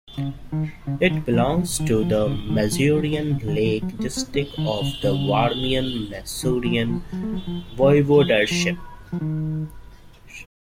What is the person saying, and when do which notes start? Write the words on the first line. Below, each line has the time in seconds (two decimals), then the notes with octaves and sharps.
It belongs to the Masurian Lake District of the Warmian-Masurian Voivodeship.
0.18 C#3
0.52 D#3
0.87 C#3
1.10 D#3
1.33 F3
1.57 F3
1.80 D#3
2.03 F3
2.26 C#3
2.49 D#3
2.72 F3
2.95 F3
3.13 D#3
3.31 C#3
3.48 D#3
3.65 F3
3.82 F#3
3.99 A3
4.17 C4
4.34 C#4
4.58 D#3
4.81 C#3
5.04 C#3
6.43 D#3
6.66 F3
6.90 F3
7.12 F#3
7.23 A3
7.33 F#3
7.47 F3
7.82 F#3
8.17 F3
8.51 F3
9.12 F3
9.21 D#3